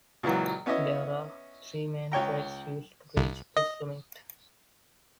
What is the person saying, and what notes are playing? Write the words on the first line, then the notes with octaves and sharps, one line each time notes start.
There are three main trails used to reach the summit.
C#2 A#2 E3 F#3
B3 C#4 E4 C#5 D#5
C#2 C#5 G5 A#5
C2
D#5